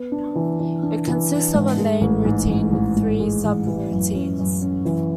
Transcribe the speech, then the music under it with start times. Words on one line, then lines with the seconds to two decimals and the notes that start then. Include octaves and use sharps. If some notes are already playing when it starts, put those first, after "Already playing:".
It consists of a main routine with three subroutines.
Already playing: B3
0.12 D4
0.35 E3
0.60 E3
0.83 D4
1.07 E3
1.31 D4
1.54 G#2
1.78 G#3
2.01 A1
2.25 G#2
2.49 A1
2.72 A1
2.96 G#2
3.20 G#3
3.44 A1
3.67 E3
3.91 F#2
4.15 C#4
4.39 F#2
4.62 C#4
4.85 E3